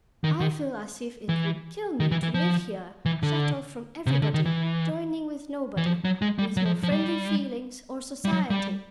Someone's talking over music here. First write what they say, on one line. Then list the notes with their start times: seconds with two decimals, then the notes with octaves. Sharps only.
I feel as if it would kill me to live here, shut off from everybody--joining with nobody--with no friendly feelings or society.
0.24 D#3
0.40 D#3
1.29 E3
2.00 D#3
2.11 E3
2.23 E3
2.34 F3
3.06 E3
3.23 D3
4.07 C3
4.11 C#3
4.22 D3
4.34 D#3
4.46 E3
5.77 E3
5.86 F3
6.05 F#3
6.22 G#3
6.39 G3
6.57 F#3
6.65 F3
6.83 F3
6.92 G3
8.25 G3
8.33 F#3
8.50 G3